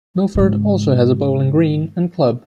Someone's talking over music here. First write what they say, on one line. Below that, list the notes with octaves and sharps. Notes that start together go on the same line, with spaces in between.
Milford also has a Bowling Green and club.
G#2 C#3